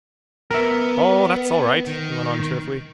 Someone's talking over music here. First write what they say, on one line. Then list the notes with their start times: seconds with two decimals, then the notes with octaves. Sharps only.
"Oh, that's all right," he went on cheerfully.
0.51 B3 A#4 E5
1.87 D#3